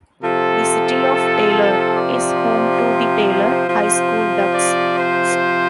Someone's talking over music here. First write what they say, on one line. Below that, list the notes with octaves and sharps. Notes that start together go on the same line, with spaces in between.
The City of Taylor is home to the Taylor High School Ducks.
C3 F3 A4
D5
C5
C3 F3
D5
C5